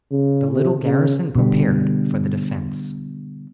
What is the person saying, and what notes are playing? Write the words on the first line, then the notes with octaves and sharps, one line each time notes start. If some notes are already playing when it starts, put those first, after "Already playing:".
The little garrison prepared for the defence.
C#3
C3
C#3
B2 D3 G3